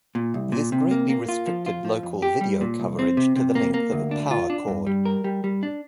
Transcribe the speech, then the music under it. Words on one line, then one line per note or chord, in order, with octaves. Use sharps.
This greatly restricted local video coverage to the length of a power cord.
A#2
C2
A#2
C3
A#3
A#3
F4
F3
F4
F3
F2
G4
G3
A#2
C2
C4
C3
C3
A#3
A#3
D2
D4
F4
D4
G2
G3
A#4
G3
G3
D4